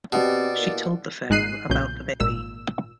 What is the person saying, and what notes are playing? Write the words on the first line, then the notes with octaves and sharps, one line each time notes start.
She told the Pharaoh about the baby.
B2 C4 G4 D5
A#3 E4
G#1 G#3 D#4 F#6 C7 D#7
B1 A#2 C#3 G6
G#1 A#2 E6